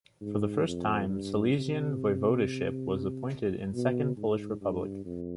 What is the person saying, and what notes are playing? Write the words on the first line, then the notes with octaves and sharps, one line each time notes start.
For the first time Silesian Voivodeship was appointed in Second Polish Republic.
G#2
F2
G2
C3
B2
G#2
G2
F2